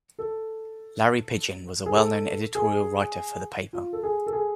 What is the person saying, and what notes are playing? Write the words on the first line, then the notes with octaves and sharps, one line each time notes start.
Larry Pidgeon was a well-known editorial writer for the paper.
A4
G#4
A4
G#4
F4
A4
G#4
A4
G#4